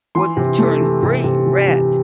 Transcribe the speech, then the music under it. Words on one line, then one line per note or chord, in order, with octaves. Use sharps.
wouldn't turn green red.
E3 C6
C3
A3
E3
C3
C3
E3
E3